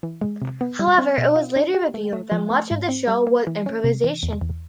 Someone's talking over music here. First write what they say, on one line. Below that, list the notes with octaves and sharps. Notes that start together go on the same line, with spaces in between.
However, it was later revealed that much of the show was improvisation.
E3
G#3
C3
B3
G3
C4
B2
F4
D4
G4
A3
A3
F3
A3
G#2
C4
G3
A#3
E3
C#4
C3
E3
E2
E2